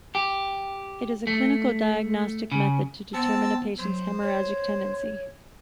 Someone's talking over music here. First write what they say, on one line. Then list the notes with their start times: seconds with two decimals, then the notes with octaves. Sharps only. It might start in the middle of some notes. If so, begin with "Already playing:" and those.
It is a clinical diagnostic method to determine a patient's haemorrhagic tendency.
0.15 G4
1.27 A3
2.52 C#3
3.14 B3 C4 A5 E6
3.79 F#3 C5
4.22 C#5